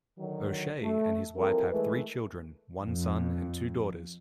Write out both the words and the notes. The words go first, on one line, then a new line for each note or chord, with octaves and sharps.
O'Shea and his wife have three children, one son, and two daughters.
D3 D#3 F#3
A3
E3 F3 G3 C4 A4 A#4
E3 G#3 A3 B4
F2